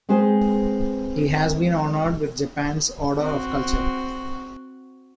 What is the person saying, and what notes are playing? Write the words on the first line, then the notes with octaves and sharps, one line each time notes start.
He has been honored with Japan's Order of Culture.
G#3 C4 G#4 B4 C5
C4 F#4